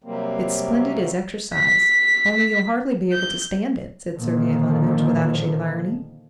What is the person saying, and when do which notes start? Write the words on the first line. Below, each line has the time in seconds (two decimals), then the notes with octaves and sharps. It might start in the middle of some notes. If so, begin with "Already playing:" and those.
"It's splendid as exercise, only you'll hardly be able to stand it," said Sergey Ivanovitch, without a shade of irony.
0.04 C3 F#3 G3 A#3 C4
1.55 B6
3.13 G6
4.17 A#2 D3 D#3 F3